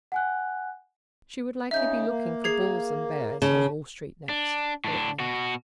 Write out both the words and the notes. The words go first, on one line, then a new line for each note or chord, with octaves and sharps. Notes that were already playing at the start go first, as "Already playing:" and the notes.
She would likely be looking for "bulls and bears" on Wall Street next, thought Ned.
F#5 G#5 F#6
C#3 D#4 E5 G6
A#3
G#4 G#6 C7
A#2 C#3 A5
D4
A2 D4
B2 F#4